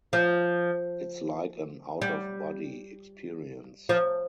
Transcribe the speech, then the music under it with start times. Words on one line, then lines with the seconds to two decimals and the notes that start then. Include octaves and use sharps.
It's like an out-of-body experience.
0.13 F3
2.02 G3
3.89 F3